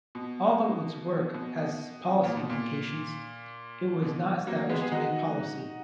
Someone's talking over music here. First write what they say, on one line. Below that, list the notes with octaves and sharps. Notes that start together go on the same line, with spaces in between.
Although its work has policy implications, it was not established to make policy.
B2
B2
A#2
B2
A#2
B2
F#3 A#3
G#3 B3
G#4
D#4 F#4